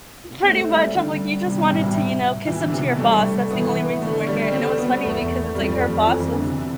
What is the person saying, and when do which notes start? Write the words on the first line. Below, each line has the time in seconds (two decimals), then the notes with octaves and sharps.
Pretty much, I'm like, "You just wanted to, you know, kiss up to your boss, that's the only reason we're here," and it was funny because it's, like, her boss was
0.43 A3 C4
0.69 G3
0.82 G3
0.94 D3 G3
1.46 C3
1.58 B2
1.70 A2
1.83 A2
2.47 E3
2.60 D3
2.73 C3
2.86 B2
2.99 G3 A3
3.50 E3 B3
4.01 D3 A3
4.27 G3
4.52 C4
4.78 B3
5.03 E2 A3
5.55 F2 G3
5.80 F3
6.06 E3
6.32 D3
6.44 C3
6.58 C3